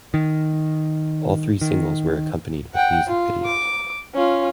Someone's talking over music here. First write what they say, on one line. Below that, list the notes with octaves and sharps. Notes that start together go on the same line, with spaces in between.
All three singles were accompanied with music videos.
D#3
D#3
F#5 G5
F4
D6
C#4 F4